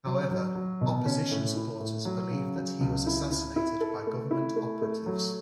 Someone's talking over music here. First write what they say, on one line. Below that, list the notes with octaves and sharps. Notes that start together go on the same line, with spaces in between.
However, opposition supporters believe that he was assassinated by government operatives.
F#3
F#3
F#3
B2
C#4
A2
E4
A2
F#3
C#3
F#3
C#2
E4
E4
E4
A4
A3
E4
A3
A3
F#3